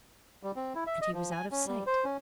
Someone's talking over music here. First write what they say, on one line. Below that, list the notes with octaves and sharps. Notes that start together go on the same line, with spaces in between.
And he was out of sight!
G3
C4
E4
E5
D#5
F3
G#5
C#4
G3
C5
C#4